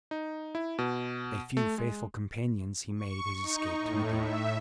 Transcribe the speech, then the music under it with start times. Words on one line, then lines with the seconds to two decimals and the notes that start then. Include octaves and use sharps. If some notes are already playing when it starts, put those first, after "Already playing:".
With a few faithful companions he made his escape to Medina.
0.11 D#4
0.55 E4
0.79 B2
1.57 A3
1.78 G#3
2.96 C#6
3.42 D#4
3.79 A2
4.18 E5